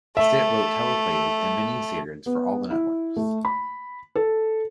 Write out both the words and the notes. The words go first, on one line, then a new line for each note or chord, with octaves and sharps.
Stitt wrote teleplays and mini-series for all the networks.
A3 E5
B3
E4
A3
B5
A4